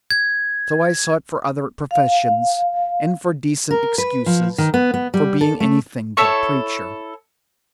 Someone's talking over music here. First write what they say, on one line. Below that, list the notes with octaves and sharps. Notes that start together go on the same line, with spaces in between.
So I sought for other professions and for decent excuses for being anything but a preacher.
G#6
F5
A#4
B4
F3
D#3
B3
B3
G3
A4
A3
E4 A4 C#5 C#6